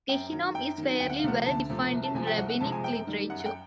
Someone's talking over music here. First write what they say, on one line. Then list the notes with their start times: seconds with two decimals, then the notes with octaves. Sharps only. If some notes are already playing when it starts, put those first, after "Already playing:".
"Gehinom" is fairly well defined in rabbinic literature.
0.09 F#2 G5
0.32 D#3 F#3
0.55 F#2 G5
0.78 D#3 F#3
1.00 D2 G5
1.10 F#5
1.19 F5
1.24 C3 F3 A3 F#5
1.46 D2 A5
1.70 C3 F3 A3
1.93 C2
2.03 A5
2.15 C3 F3 G#3 G#5
2.27 G5
2.37 C2 F#5
2.50 F#5
2.60 C3 F3 G#3 A5
2.72 G#5
2.84 F#2 G5
3.07 D#3 G3
3.30 F#2 F#5
3.40 F#5
3.46 G5